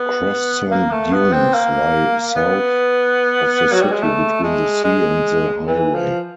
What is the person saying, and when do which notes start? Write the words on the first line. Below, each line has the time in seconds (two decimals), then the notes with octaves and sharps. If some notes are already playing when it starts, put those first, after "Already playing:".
Crescent dunes lie south of the city, between the sea and the highway.
Already playing: B3
0.71 A#3
0.91 A3
1.12 B3
1.33 C4
1.54 A#3
2.36 B3
3.73 F#3
3.81 G3
3.92 G#3
4.02 A3
4.43 G#3
4.84 G#3
5.67 E3
5.95 F3